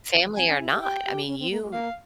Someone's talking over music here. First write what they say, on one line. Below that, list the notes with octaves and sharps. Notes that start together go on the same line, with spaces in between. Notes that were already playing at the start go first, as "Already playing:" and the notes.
Family or not, I mean, you
C4 G#5
C#4
E4
G4
G4 G5
G4
C#4
C4
A#3
G#3
A#3 F5